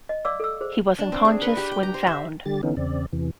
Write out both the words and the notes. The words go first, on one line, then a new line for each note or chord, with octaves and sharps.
He was unconscious when found.
D#5
D5 F5 D6 E6
A4 E6
G#4 C5
D4
C4
G#4
B4
G4
G5
A#5
C5
E5
D3 G3 G4 A6
D3 E3 B3 C#4 D#4
E2 C#3 C4 D5
E2 C3 E3